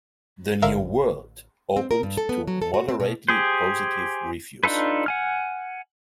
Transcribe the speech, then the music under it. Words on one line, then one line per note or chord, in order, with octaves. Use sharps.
"The New World" opened to moderately positive reviews.
A1 D3 A#4 E5 F5 E6
C4
A#4
G2
A4
B3
F#3
A4
F#4
C4
B2
G4 G#4 C5
D4 D#4 F4 A4 B4
F#5 G#5 F6